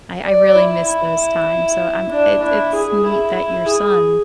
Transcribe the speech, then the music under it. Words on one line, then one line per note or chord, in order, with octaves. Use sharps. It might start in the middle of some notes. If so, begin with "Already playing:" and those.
I I really miss those times, so I'm it it's neat that your sons
D5
E4
E4
D4
E4
G#4
E4
E4
G#4